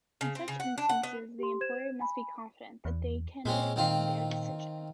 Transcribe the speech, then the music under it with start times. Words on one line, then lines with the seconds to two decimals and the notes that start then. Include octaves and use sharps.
In such instances, the employer must be confident that they can defend their decision.
0.21 C#3
0.35 C4
0.48 C#3
0.60 F#5
0.78 D4
0.89 F#5
1.03 B3
1.39 G4 C6
1.61 C5 G#6 E7
2.00 G#5 B5
2.85 E2
3.45 A#2 G#3 C4 C#4
3.76 D#3 C4 F4